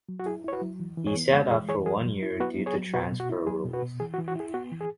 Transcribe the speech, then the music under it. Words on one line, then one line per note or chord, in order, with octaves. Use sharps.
He sat out for one year due to transfer rules.
F#3
F#4
E4 G#4
E4 C#5
F#4 B4
F#3
E3
E3
G#4 C#5
B3
G#3 C#5 F#5
E3 G#4 C#5
E3 G#4 C#5
F#3 G#4
F#3
E4
B3 F#4 B4
F#3
G#4 C#5
F#3
B2 F#4 B4
B2
F#4
E4
F#3 G#4
B2
F#4 B4
B2
E3 G#4
F#4
E3
F#4
E4 G#4
B3 F#4
E3
G#4